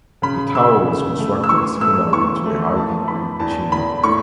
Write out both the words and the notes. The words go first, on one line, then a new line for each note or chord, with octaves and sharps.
The tower was constructed similarly to a high concrete chimney.
C#3 B5
C#3 E6
C#3
A3
E6
E3 C#6
A3 E6
E3 C#6
A3
E3 A5
E3 B5
E2 A5
E2 B5
A2 C#6